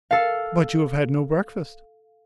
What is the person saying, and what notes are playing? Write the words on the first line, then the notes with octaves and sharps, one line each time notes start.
"But you have had no breakfast."
A4 F5